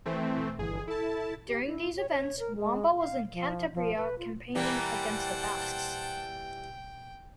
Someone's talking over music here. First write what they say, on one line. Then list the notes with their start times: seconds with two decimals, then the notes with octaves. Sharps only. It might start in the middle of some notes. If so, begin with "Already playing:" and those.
During these events, Wamba was in Cantabria campaigning against the Basques.
0.06 E3 A3 C4
0.58 G1 E3 G#4
0.87 E4 A4 A5
1.47 G4
1.66 E4
1.97 C#5
2.10 C#5
2.40 A#4
2.56 G#3
2.98 F5
3.33 F3
3.74 F3
3.96 B4
4.19 F4
4.55 E3 G3 A#3 C5 F#5 G5 A5